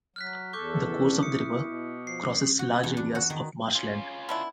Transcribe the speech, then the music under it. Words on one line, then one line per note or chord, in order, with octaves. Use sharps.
The course of the river crosses large areas of marshland.
F#3 F6 F#6 B6
E2 A4 C#6 D6 G6
E3
E4 D#6 C#7
B2
F3 C7
F#4
E2
D4
F#4
D#3
C#4 F4
B3 D4 E4